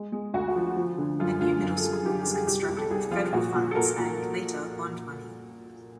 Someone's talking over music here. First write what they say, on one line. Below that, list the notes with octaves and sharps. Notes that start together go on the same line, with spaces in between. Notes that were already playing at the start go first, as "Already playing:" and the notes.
A new middle school was constructed with federal funds and later bond money.
Already playing: G#3
G#3
D2 F#4
F#4
F3
F3
D3
F#2 F4
D3 F4
F#2
A4
G3
G#4
D3 G4
G#4
G3
G#4
C2 G4
G4
C2
A4
C2 G#4
F3 F4
A#2 F#4
A#2
A4
A#2 A#4
A#2